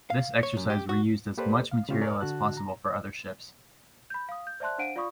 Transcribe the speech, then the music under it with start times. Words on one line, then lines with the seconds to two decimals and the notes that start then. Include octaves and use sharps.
This exercise reused as much material as possible for other ships.
0.10 F5
0.43 C#5
0.57 F#2
0.70 G4
0.89 F#4
1.38 A#3 G4 A4 B4 C5 D5
1.71 F5
1.89 C#3 G#3 C4 F4 G4 C#5
2.01 A#4 C#5 D5 G#5 F6
2.21 D3 F#4 A5 F#6
2.57 A#5
4.10 B5 G6
4.29 F5 D#6
4.47 G6
4.60 C5 D5 E5 A5 C6 F#6
4.78 D4 C5 F5 F#5 D7 D#7
4.96 F4 D5 F5 B5 C#6 D#6